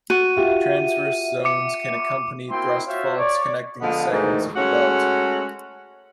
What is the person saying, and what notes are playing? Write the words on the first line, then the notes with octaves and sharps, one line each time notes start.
Transverse zones can accompany thrust faults connecting the segments of the belt.
F#4 D#7
F4 G4 E5 F#5
D6 C#7
A#3 C4 E4 F#4 G5 C6
F4 F#4 C5 C#5 E5 F5
C#5 D5
D3 F3 G#3 B3
D2 G#2 D#3 E3
G#3 A3 C#4 F#4